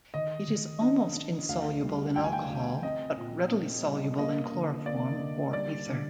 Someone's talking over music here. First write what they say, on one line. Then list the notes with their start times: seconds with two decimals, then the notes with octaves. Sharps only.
It is almost insoluble in alcohol but readily soluble in chloroform or ether.
0.14 D#3 D#5
0.48 D#3
0.81 D4 D#5
1.15 D4
1.49 D2 F5
1.82 G3
2.16 D2 G5
2.24 G#5
2.33 G5
2.50 D2
2.83 C4 D#5
3.17 A#2
3.51 C4
3.84 G3
4.18 A#3 D#5
4.52 D3
4.85 A#3 D5
5.19 D3
5.53 G3 D5
5.87 D3